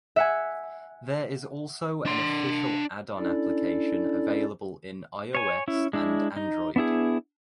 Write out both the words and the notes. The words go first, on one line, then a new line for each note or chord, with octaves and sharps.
There is also an official addon application available in ios and android.
E5 F#5 G#5
D4 C6
C#4 D4 E4 A4 D5
C#5 G#5
C#4 E4
G#3 D4 E4
D#4
B3 D4 E4 G#4